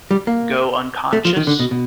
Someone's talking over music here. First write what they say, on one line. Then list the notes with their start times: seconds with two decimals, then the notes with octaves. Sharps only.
go unconscious?
0.11 G3
0.27 A#3
1.13 A3
1.25 F3
1.37 D#3
1.47 D3
1.59 B2
1.71 B2